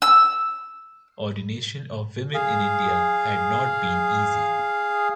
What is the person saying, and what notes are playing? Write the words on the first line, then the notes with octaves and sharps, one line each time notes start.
Ordination of women in India had not been easy.
E6
G#4 F5